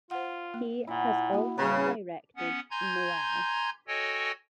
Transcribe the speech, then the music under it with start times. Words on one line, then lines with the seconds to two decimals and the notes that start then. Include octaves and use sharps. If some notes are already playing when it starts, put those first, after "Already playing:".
He has also directed "Noel".
0.11 F4 C5 F#5
0.54 A#3
0.87 A#2 E4 F#5
1.33 A#3 F#4
1.58 A2 C#3 G3 B4 A#5
2.36 B3 C#4 F#5
2.71 G#5 A#5 C6 G6 G#6
3.88 F#4 A4 C#5 D#5 G5 G#5